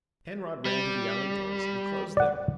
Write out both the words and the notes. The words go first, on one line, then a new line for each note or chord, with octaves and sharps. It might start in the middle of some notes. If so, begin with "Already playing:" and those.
Penrod ran to the alley doors and closed them.
G3
D5 F#5